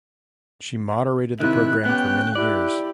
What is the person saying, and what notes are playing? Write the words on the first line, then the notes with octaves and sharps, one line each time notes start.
She moderated the programme for many years.
C3 D#3 E4 F#6
B3 C#4 G4 G5
E4 G4 D5